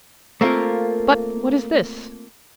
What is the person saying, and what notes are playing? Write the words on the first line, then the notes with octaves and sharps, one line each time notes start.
But what is this?
A3 A#3 C4 F4 A#4